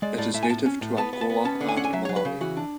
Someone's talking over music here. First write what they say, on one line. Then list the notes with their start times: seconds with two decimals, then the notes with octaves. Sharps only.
It is native to Angola and Malawi.
0.02 G#3 D5
0.18 A2 D5
0.34 A2 E5
0.43 G#5
0.50 A2 A5
0.66 C#4
0.81 A2
0.97 B3 A5
1.13 B3
1.21 A5
1.30 B3
1.45 C#4 A5
1.61 D3
1.69 G#5
1.77 C#4 F#5
1.84 G#5
1.93 F#3 E5
2.05 C#5
2.09 F#3
2.16 B4
2.25 C#3
2.41 E3 F#4
2.57 D4